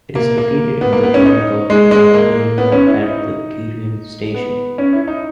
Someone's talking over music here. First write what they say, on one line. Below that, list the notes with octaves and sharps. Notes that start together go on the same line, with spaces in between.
It is located in the Wolgok-dong area at Gireum Station.
A#3
A#3
B3
A#3
B3
C#4
D#4
G#3
G#3
A#3
B3
C#4
E4
D#4
B3
C#4
E4
D#4